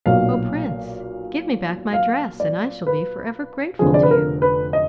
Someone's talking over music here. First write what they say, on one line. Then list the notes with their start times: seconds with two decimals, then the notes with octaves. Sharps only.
'Oh Prince, give me back my dress, and I shall be for ever grateful to you.'
0.06 B1 A#2 F#3 F5
1.93 F5
2.40 D5
2.87 B4
3.79 F1 F2 D3 F3 G#4
3.94 D5
4.03 B4
4.11 A#4
4.42 B4
4.73 D#5